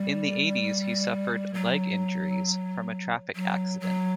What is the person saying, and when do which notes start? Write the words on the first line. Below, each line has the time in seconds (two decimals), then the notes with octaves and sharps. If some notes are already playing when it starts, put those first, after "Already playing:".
In the eighties he suffered leg injuries from a traffic accident.
Already playing: G3
1.54 F#3
3.35 F#3
3.81 F#3